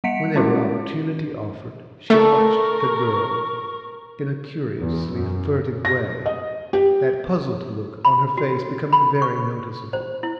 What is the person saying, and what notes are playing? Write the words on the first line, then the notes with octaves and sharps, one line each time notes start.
Whenever opportunity offered, she watched the girl in a curiously furtive way, that puzzled look on her face becoming very noticeable.
G3 F#5 B6 C#7 D7
G#3 C#4 E4 F#4
A3 A4 A#4 D5 C#6
E2
F#2
A#6
D#5
G4
B5
F#4
B5
C#6
C5
E4